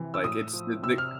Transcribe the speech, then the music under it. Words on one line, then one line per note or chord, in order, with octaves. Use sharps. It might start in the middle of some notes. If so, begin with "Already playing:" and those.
like, it's the the
Already playing: C3 E3
E6
A2 D#6
F3
C3 E6
F6